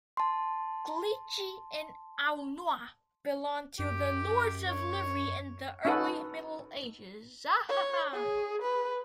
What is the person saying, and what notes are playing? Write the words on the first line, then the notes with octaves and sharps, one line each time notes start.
Clichy en Aulnois belonged to the lords of Livry in the early Middle Ages.
A5 C6
F#2 G4
C#5
C#4 D#4 F#4 A4 B4
C#5
G#4
B4